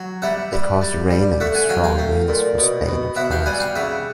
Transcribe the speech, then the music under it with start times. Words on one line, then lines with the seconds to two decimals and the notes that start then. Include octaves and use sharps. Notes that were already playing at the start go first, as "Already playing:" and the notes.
It caused rain and strong winds for Spain and France.
Already playing: F#3
0.22 G3 E5 F#5
0.53 G3
0.81 G3
1.11 G3
1.40 A3 E5 F#5
1.54 F#5 G#5
1.69 F#3 F5 G5
1.84 F5 G5
1.98 A3
2.28 A#2
2.58 B2
2.87 B2
3.16 B2 E5 F#5
3.31 F5 G5
3.46 G3 F#5 G#5
3.60 F5 G5
3.75 C#3 E5 F#5